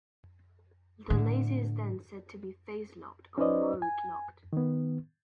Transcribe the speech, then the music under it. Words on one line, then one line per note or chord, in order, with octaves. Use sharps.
The laser is then said to be 'phase-locked' or 'mode-locked'.
A2 D3
C#4 D#4 B4 C5 D5 D#5
G#5
D#3 B3